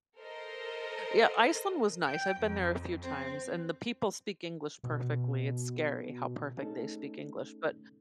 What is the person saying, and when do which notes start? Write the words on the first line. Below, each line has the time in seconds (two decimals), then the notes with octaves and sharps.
Yeah, Iceland was nice, I've been there a few times, and the people speak English perfectly. It's scary how perfect they speak English, but
0.18 A4 A#4 C5 D#5
2.06 G5
2.40 F2
3.02 C4
4.83 B2
6.62 A3 C#4 D#4 G#4 A4